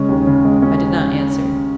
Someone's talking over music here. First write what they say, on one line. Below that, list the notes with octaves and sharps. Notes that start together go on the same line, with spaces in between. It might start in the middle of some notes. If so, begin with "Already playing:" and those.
I did not answer.
Already playing: C#3 G#3 C#4
D#2
C#3
G#3
C#4